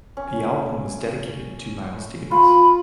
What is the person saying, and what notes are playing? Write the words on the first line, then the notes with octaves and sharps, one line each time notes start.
The album was dedicated to Miles Davis.
C#4
F4 B5